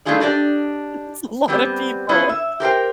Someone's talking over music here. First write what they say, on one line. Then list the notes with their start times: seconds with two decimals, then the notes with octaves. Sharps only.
That's a lotta people.
0.05 G2 A3 D#4 F4 G#4 D5
0.20 D4 G4 D5 D#5
1.48 G3 B3 C4 G4
2.09 B3 C#4 E4 G#4 B4 C5
2.29 E5
2.60 G4 A#4 C5 G5